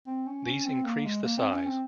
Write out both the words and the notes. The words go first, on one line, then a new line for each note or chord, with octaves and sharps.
These increase the size.
C4
C#4
C#4
C4
A#3
G#3
A#3
C4
C#4
C4